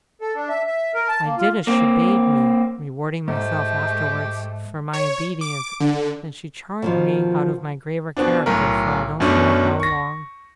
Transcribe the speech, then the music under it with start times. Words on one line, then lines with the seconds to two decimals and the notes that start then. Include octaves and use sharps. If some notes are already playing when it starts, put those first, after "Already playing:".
I did as she bade me--rewarding myself afterwards for my obedience--and she charmed me out of my graver character for I don't know how long.
0.21 A4
0.35 D4
0.49 E5
0.67 E5
0.94 A#4
1.08 A5
1.24 A#3
1.38 F4
1.67 A#3 C4
3.28 G#2 G#3 A3 G4
4.93 C#5
5.41 D6
5.80 D3
6.82 B2 D#3 F3
8.17 B2 B3 C4 D4
8.46 B1 A2 A#4
9.20 F#2 B2 A3 C#4 D4
9.80 C#6 A#6